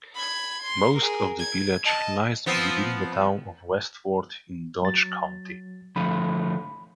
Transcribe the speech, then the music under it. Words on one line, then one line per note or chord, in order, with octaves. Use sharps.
Most of the village lies within the Town of Westford in Dodge County.
B5 G#6
C6
G#4 A#4
G#6
D#5 A5
F3 B3 C4
F#3 A6
D3 F3 A3 B5